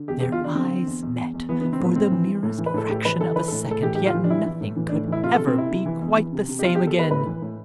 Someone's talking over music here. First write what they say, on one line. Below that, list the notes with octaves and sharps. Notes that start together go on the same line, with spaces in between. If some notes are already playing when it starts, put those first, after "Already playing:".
Their eyes met, for the merest fraction of a second, yet nothing could ever be quite the same again.
Already playing: D3
E2 G4
G4
E2
F4
D3 D4
D3 C4
D3
E2
E2
E2
E2
E3 B3
B3
E3
C4
A2 B3
A2 C4
E3
E3
A2
E3
B4
A2 A4
A2 G4
E3 B4
E3 A4
E3 B4
A4
A2
A2 A4
E3 G4
A2 G4
F4
E3
D4
E3 E4
E3
A2
E3
D4
A2
E3 E4
C3 F4
A4
C3
C4
C3 E4
C3
E3
E2
E3
C3
C3
G4
E2 F4
G4
E2
A4
E2 B4
A2 B4
E3
A2